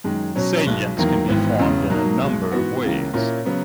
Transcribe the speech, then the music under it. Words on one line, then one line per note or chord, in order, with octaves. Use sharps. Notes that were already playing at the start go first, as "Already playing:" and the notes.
Salients can be formed in a number of ways.
F#2 D#3 G#3
B2 F#3 C#4
B1 B2 G#3
E2 D#3 F#3 A#3
G#1 G#2 E3 B3
E1 E2 C#3
B2 F#3 A#3 D#4
B1 B2 G#3
G#2 E3 B3 F#4
C#2 C#3 E3 A#3
A#2 A#3 C#4 E4
C#3 F#3 B3